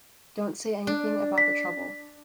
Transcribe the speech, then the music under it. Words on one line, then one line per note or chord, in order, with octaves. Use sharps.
Don’t say anything about the trouble.
D4
B6